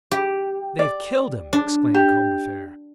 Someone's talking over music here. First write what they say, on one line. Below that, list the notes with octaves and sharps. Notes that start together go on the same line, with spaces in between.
"They have killed him," exclaimed Combeferre.
G4
D5
D4
G4